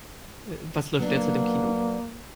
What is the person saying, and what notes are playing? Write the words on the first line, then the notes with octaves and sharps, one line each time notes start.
Was läuft derzeit im Kino?
F#3 A#3 B3 D4